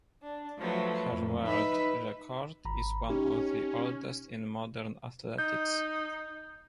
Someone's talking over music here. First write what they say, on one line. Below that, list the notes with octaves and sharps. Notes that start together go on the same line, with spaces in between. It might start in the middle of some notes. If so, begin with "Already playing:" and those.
Her world record is one of the oldest in modern athletics.
D4
F3 F#3 A3 B4
F2 A2
D#4 B4 E5 B5
G#1 A#5 B5
C#4 D#4 G4
D#4 G6